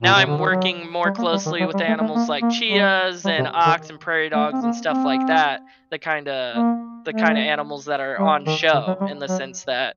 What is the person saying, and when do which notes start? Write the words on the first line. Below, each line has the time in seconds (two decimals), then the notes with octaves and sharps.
now I'm working more closely with animals like chias, and ox, and prairie dogs, and stuff like that. The kinda the kinda animals that are on the show, in the sense that,
0.02 A#2
0.14 C3
0.26 D3
0.38 D#3
0.50 F#3
1.05 G3
1.18 A#3
1.33 G3
1.46 D#3
1.60 F#3
1.74 G3
1.88 A3
2.00 A3
2.15 A#3
2.42 A#3
2.69 G3
3.25 G3
3.38 C3
3.66 D#3
4.34 A3
4.52 C4
4.62 A#3
4.89 C4
6.54 A#3
7.09 A3
8.19 G3
8.46 D#3
8.73 D3
8.87 F#3
9.01 G3
9.28 F#3